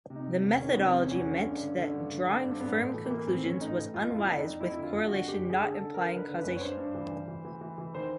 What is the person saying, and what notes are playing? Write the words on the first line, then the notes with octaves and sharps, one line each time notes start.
The methodology meant that drawing firm conclusions was unwise with correlation not implying causation.
C3
D#4
C3
E2
D#3 C#4
C3 B3
C4
E2 C4
C#4
E2
D3
G2
D3
D3
G2
D3
D3
G2
C4
A2 B3
A2
A3
E3
A#3
E3
A2 C4
E3 C#4
A2 D#4
A2
F2 F4
F2 F4
E4
F2 D4
D#4
F2
F2 E4
D3 E4
F4
F2 F4
F#4
D3
F#2 G4
D3
G#4
D3
A4
D3
D3 A#4
D3 B4
D3
F#2 B4
C#5
G2 C5
G2
E3
E3
E3
E3
E3
E3
D#3 C5